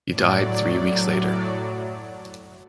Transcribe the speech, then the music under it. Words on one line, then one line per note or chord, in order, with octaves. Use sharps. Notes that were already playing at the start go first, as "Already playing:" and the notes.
He died three weeks later.
A2 F#3 D5